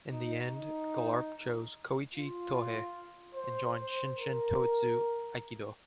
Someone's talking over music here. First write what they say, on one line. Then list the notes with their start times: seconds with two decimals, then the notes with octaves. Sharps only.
In the end, Galarpe chose Koichi Tohei and joined Shin Shin Toitsu Aikido.
0.10 D#4
0.51 D#4
2.13 F4
3.34 C5
3.74 C5
4.15 A#4